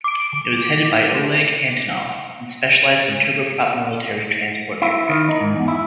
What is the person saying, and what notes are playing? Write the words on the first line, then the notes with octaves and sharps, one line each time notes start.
It was headed by Oleg Antonov and specialised in turboprop military transport aircraft.
D6 D7
E4
D#3
D#4
G#2
E2
E4